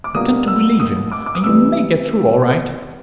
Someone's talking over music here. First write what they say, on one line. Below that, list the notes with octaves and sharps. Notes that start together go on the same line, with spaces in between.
Pretend to believe him, and you may get through all right.
D6
B2 G3 A#3 D4 F4 D#6
E6
D#6
D6
D6
D#6
C3 E3 G3 E6